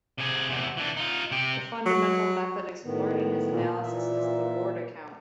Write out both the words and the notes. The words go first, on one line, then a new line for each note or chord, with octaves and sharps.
The fundamental method explored in his analysis is the Borda count.
C3 G#4
E2 C3
E3 D4
D#4 F4
C3 G4
F#3
A2 D#3 B3
A#2
E3 E5